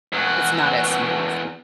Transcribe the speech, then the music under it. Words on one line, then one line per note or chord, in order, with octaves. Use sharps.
it's not as smooth.
E2 F#4